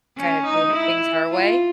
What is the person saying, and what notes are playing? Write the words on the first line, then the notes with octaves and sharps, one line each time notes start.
kinda do h things her way?
C#4
D#4
E4
F4